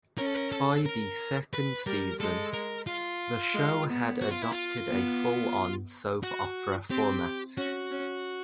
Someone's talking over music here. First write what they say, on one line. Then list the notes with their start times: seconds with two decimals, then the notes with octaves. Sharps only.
By the second season, the show had adopted a full-on soap opera format.
0.18 C#4 A#4
0.26 A4
0.35 A#4
0.52 A4
0.86 A#4
1.53 B4
1.86 G3 A#4
2.20 G#3 A4
2.53 A#4
2.87 F4
3.54 G#3
3.87 B3
4.22 F#4
4.31 F4
4.42 E4
4.52 F4
4.89 B3
6.23 F#4
6.90 C4 G4
7.57 C#4 F#4
7.91 C#4